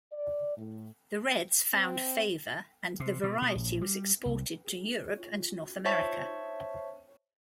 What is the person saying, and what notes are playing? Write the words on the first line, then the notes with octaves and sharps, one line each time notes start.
The 'Reds' found favour and the variety was exported to Europe and North America.
D5
A2
C4
C3
B2
B2
A#1
G3
C2
C5 C#5 E5 A5 C#6